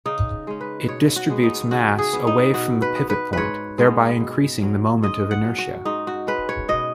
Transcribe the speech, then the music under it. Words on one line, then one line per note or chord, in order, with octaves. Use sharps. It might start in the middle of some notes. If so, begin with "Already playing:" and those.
It distributes mass away from the pivot point, thereby increasing the moment of inertia.
C#3 D#4
G#3 C#4
B4
B2 C#5
F#4
G#3 B3
D#4
C#3 F#4
G#4
B3
D#4
B2 F#4
B4
B3
B4
G#2 B4 C#5
G#3 B3
B2
F#3 C#4
G#2 D#5
F#5
F#3 C#4
F#4
G#2 D#4
F#4
G#3 C#4 B4
C#5
B2 D#5